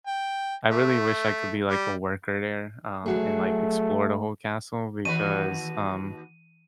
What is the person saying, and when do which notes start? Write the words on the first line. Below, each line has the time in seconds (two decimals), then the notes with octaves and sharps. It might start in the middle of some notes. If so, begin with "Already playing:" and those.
I really wish I could be, like, a worker there, um, and, like, explore the whole castle because, um
0.07 G5
0.72 A3
1.70 G3
3.06 F#3 A3 F#4 G#4
5.05 D#2 E3 F#4 B4 D#5 D#7